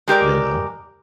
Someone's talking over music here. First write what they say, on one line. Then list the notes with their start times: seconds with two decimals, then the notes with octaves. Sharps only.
you know?
0.08 G#3 G4 A#4 D5